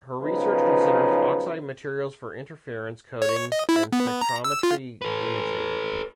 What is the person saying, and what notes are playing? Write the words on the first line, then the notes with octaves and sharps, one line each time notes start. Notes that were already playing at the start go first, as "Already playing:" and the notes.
Her research considers oxide materials for interference coatings and spectrometry imaging.
B1 C#3 F3 D#4 B4
C#5
D#5
E4
B3
A#5
E6
F4
A4 B4